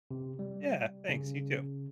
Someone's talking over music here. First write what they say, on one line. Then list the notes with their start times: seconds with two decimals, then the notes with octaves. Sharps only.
Yeah, thanks, you too.
0.11 C3
0.39 G3
1.09 C#3